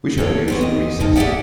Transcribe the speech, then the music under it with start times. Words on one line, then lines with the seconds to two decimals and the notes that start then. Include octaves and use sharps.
We shall use the recess.
0.18 A4 C#5 D5
0.48 B3 C4 F#4
0.61 D2 D#5
1.00 G#2 D3 D#3 F3 D#4 A5
1.16 G4 G#4 C5 D5 E5 F#5